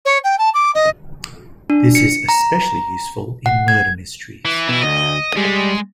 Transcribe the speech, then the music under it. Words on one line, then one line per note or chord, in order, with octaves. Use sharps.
This is especially useful in murder mysteries.
C#5
G5
A5
D6
D#5
D4
C#7
A#5
F#5
G#6
E3
B2 E3 E4
D2 D#5
G3 G#3